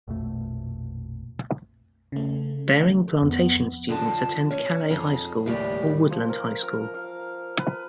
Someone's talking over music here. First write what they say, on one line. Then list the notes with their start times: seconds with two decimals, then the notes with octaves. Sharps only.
Baring Plantation students attend Calais High School or Woodland High School.
0.08 A#1 F2 B2 A3
2.12 C#3 A3
3.22 F2 B3
3.89 F#2 D3 F3 D#5 A5
4.51 C#4
4.90 F2 D#4 G#4
5.46 D#2 A2 C#3 G3
6.10 F3
6.29 A#4
6.63 A#4
6.94 F5
7.59 B4